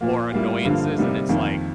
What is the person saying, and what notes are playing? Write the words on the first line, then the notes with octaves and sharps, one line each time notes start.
or annoyances, and it's like,
A#2 F3 A#3
A2 G3 A#3 F4
G2 D3 F3 A#3
C3 G3 A#3 D#4
F2 D#3 A#3